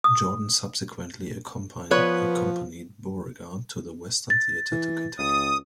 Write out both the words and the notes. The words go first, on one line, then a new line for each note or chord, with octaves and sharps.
Jordan subsequently accompanied Beauregard to the Western Theater to Kentucky.
D#6
F3 B3 B4 C#5
A6
E3
C#2 D#6